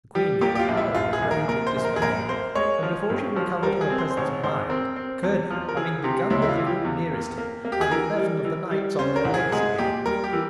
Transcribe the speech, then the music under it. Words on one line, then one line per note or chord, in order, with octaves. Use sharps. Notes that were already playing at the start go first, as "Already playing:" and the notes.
The queen gave a howl of rage and dismay; and before she recovered her presence of mind, Curdie, having begun with the group nearest him, had eleven of the knights on their legs again.
G3 G4
A#2 G4
G4
F4
A#1
E4
A#1 F4
G#4
A#1
A#4
A#2 A#4
C5
A#1
A#4
G#4
A#1 A#4
A#3 C5
G#3 C#5
F3
G2
F3
G3 A#4
G#4
C4
C5
C5
G#1 C#5
G#1 C5
C4 A#4
C4
E2
F3
A#4
E3 G#4
C3 G4
C#2 E4
E4
F4
E3
G4
E2
A#3
A#3
A#3
G4
G#4
E3 A#4
G3
E3
G3
C#4 C5
A#4
C2
G#4
G#3 G#4
A#2 G4
G3 A#4
G4
E3